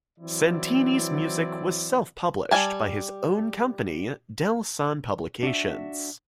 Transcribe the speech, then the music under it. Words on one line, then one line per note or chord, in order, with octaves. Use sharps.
Santini's music was self-published by his own company, DelSan Publications.
E3 F#3 C4 E4 D5
G3 F5 G#5 A5
D4 F#4 E5